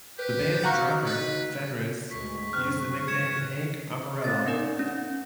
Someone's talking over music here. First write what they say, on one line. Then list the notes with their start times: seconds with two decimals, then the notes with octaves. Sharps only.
The band's drummer, Fenriz, used the nickname "Hank Amarillo".
0.19 G4 B4
0.64 F#4 F5 F#5 A#5 C#6
1.06 D#4 B4
2.11 D2 G#2 G#3 C#6 B6
2.53 F#1 C4 F6 F#6
3.08 G#2 C#3 E3 G#6 C#7 E7
4.24 C4 C#4 A6
4.45 B3 C#4 D#4 A#4 D5
4.79 C#4